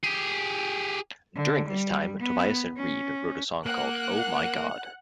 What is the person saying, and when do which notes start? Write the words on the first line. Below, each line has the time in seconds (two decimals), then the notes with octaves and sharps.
During this time Tobias and Reed wrote a song called "Oh My God".
0.03 G4 G#4
1.36 D3
1.69 G3
2.21 B3
2.77 C#4
3.66 A#3 F#5 F#6